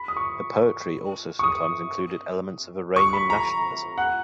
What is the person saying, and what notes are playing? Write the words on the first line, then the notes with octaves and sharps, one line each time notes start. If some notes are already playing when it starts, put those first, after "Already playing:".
Her poetry also sometimes included elements of Iranian nationalism.
Already playing: B5
D#6
C#6
C#6
D#6
C#6
B5
A#5
F#5